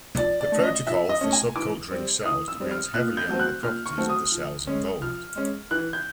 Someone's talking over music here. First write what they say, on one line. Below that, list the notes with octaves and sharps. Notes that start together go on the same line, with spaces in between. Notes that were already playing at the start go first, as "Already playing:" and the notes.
The protocol for subculturing cells depends heavily on the properties of the cells involved.
F3 D5
D5
A3 C#4
D#5
F3 E5
D#5
A3 C#4
G#5
E3 D6
G3 C4
E3 D#6
E6
G3 C4
F6
A#2 F#6
G6
F#3 A3 C4
F#6
A#2 F6
C#6
F#3 A3 C4
D#6
F3
G#3 C#4
F3 F6
G#3 C#4
E3 F#6
G6